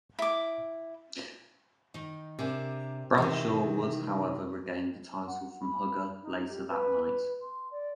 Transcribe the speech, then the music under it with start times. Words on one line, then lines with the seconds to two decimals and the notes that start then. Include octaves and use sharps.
Bradshaw would, however, regain the title from Hugger later that night.
0.19 E4 D6
1.94 D#3 D#4
2.39 C3 D4 G#4 A#4
3.18 C3 D#3 E3 G#3
5.27 F#5
5.61 B5
6.22 D#4
6.49 G4
6.68 B4
7.04 B4
7.41 C6
7.71 D5